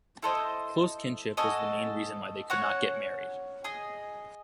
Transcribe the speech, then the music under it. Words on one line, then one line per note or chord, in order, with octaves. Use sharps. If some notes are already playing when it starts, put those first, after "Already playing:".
Close kinship was the main reason why they could not get married.
E4 A4 C5 D#5
F#4 A4 D#5 G#5
C#4 F#4 C#5 F#5
G#4 D#5 G#5